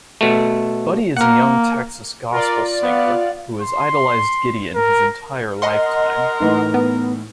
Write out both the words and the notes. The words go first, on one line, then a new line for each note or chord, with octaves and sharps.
Buddy is a young Texas gospel singer, who has idolized Gideon his entire lifetime.
B2 A3
A#3 A#4 F#5
F4 A#4 D5
B3 F5 F#5
C6
A#4
A#4 D#5 F#5 C6
A2 E3 D#4
B3